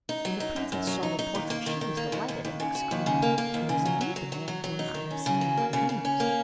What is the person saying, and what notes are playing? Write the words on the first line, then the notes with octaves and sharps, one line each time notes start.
When the princess saw the portrait she was delighted, and exclaimed: 'It is indeed the man whom I have seen in my dreams!
D#4
F#3
D#4
F#2
F#2
F#3
D#4
D#4
D#2
A#3
D#3
D#3
A#3
D#2
D#2
D#2
C#3
F#4
D#2
C#3
A#3
A#3
D#2
C#3
F#3
F#3
F#3
F#3
F#3
F#3
D#4
D#3
C#4
C#3
F#3
A#3
C#3
C#3
C#4
A#3